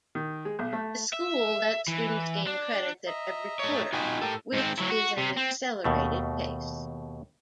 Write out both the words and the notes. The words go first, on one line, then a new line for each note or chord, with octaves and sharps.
The school lets students gain credits at every quarter, which is an accelerated pace.
D#3
G#3
B1
A3
E5
E3
D4
D#5 E5 A#5
A3 C#5
D#4 F4 F#4 G5 G#5 B5
A2 G4 A4 A#4 G5
G#2 C4
F#3 E4
F#4
C3
C4
D#2 B2 A3